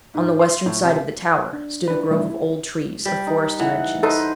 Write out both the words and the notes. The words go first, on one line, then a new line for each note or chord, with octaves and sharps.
On the western side of the tower stood a grove of old trees, of forest dimensions.
G#2
C6
A2
C3
D4
D4 E4 B4
B2 E3 G3 A3 D4 E4
E4
G3
D#4
E3 F#5
D#4 A4 B4 C5